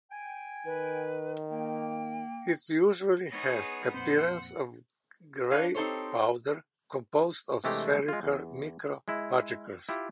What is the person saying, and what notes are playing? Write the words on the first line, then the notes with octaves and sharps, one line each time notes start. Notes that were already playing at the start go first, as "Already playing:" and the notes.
It usually has the appearance of grey powder, composed of spherical microparticles.
G5 G#5
D#3 B4
A#3 G5
B3 D#4 G#4 C#5
F2 A#2 C4 C5 F#5
D4 B4 C#5 F5
C4 D#4 G4 A4 C5 C#5
C3 E3 G#3 A3 D4 G4
G#3 F4
E2
G#3 E4
E4 F4 G4